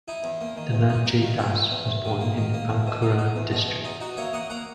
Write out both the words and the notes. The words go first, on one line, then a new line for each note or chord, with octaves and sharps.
Dhananjay Das was born in Bankura district.
D#4 E4
E2
A#3
D#3
E2
D#4
A#3
D#3
E2 E4
D#3
E2
E2
D#3
A#3
D#3
A#3
E2
B2
D#4
D#4
E2
B2
E2
D#4
D#4 F#4
A#3 C#5 E5
A#3 D#5 F#5
A#3 F#5 A#5